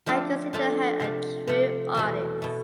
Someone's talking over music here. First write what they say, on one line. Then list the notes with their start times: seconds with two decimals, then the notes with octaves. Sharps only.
I consider her a true artist.
0.06 F3 A3 D4 F4 A4
0.53 F3 A3 D4 F4 A4
1.00 C3 F3 A3
1.47 C3 F3 A3
1.95 E2 B2 A3
2.42 B2 A3